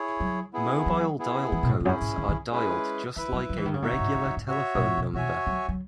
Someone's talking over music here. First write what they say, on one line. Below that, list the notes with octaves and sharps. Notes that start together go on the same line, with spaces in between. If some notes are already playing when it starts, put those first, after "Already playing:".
Mobile dial codes are dialed just like a regular telephone number.
Already playing: E4 G#4 C#5
F#3
B3 E4 G#4
F#3
B3 E4 G#4
E3
B2
A2
E2
F#2 C#4 E4 G#4
G#2
D#3
D#3
G#3 C#4 E4 G#4 B4
E3 E4 B4 E5
F#3
F#3
E3
D#3
C#3
B2 D#4 F#4 C#5 E5
F#2
G#2
F#2
F#2
G#2
F#4 C#5 E5
B2
A2
B2
B2 F#4 C#5 E5 G#5
F#3
F#3